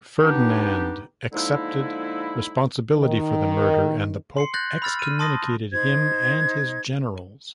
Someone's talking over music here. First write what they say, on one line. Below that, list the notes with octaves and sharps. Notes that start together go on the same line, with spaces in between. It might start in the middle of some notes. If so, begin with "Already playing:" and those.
Ferdinand accepted responsibility for the murder, and the pope excommunicated him and his generals.
B3 D4 D#4 G4
D3 F3 G#3 A#3 D#4 E4
D#3
C6 C7 C#7
F#6 G6 A6 A#6 F#7
B5 E6 F6 A6
F6 D#7
A5 C6 D#6 A6 A#6
D#4 C5 G#6